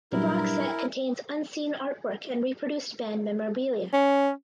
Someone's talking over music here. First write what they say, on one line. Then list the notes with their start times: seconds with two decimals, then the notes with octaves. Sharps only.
The box set contains unseen artwork and reproduced band memorabilia.
0.12 G2 A#2 F#3 G3 E4 A#4
3.93 C#4